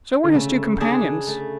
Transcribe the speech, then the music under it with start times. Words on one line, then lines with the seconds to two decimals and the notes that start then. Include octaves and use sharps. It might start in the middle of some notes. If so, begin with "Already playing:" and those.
So were his two companions.
0.24 D3
0.34 C#3 A3
0.80 D4 G#4 D5
1.27 A3